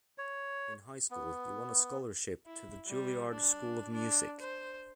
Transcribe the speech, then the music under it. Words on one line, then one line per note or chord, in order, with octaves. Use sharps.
In high school, he won a scholarship to the Juilliard School of Music.
C#5
B3
E4
G3
D4
D4
C5